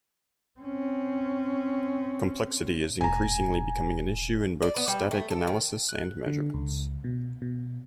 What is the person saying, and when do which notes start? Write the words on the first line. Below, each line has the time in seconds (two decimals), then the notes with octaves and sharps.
Complexity is increasingly becoming an issue in both static analysis and measurements.
0.60 C4 C#4
3.01 E1 A2 G#5 A#5
4.62 D5
4.76 B3
4.88 G3
5.11 A3
5.31 A4
5.47 D#3
5.89 F#6
6.26 D3
6.54 C#2
7.04 B2
7.42 B2